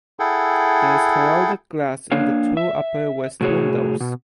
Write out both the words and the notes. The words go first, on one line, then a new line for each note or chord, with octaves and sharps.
There is heraldic glass in the two upper west windows.
E4 G#4 A4 F#5 G5
A#3 D4 C#5 F5
E5
A2 C3 F#4 G#4 C#5
B2